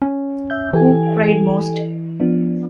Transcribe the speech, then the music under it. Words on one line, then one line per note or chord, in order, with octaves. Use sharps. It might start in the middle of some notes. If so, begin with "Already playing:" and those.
Who cried most?
C#4
E5 G6
E3 G4 A4 G#5
F3 B3 D4